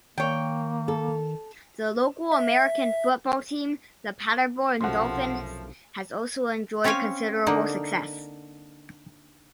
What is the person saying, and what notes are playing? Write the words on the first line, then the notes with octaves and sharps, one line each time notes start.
The local American Football team, the Paderborn Dolphins, has also enjoyed considerable success.
D#3 A#3 C#5 G5
A4
E5
B1 F#2 C3 F3 A3 F#5 C6
C4 C#4 C#5 F5 G#5
D3 A#3 D#4